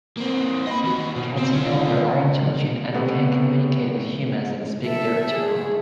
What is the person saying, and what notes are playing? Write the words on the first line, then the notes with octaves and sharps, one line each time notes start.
Cats in Ulthar are intelligent and can communicate with humans that speak their tongue.
A#3 C4
D#5 B5
D#2 F#4
B2
C4
C#4 F4
C3 A3 B3
A4 E5
G#4